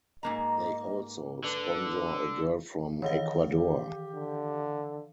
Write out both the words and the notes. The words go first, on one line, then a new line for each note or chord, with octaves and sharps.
They also sponsor a girl from Ecuador.
G#2 A#3 D#5 A#5
D3 B4
D#3 E3 C#5 D#5 F5
G4
D3